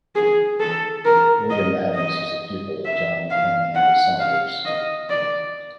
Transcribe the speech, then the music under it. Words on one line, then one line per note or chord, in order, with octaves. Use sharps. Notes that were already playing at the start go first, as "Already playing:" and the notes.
William Adams was a pupil of John Cunningham Saunders.
G#4
A4
A#4
D#5
D#5
E5
F5
F#5
F5
D#5
D5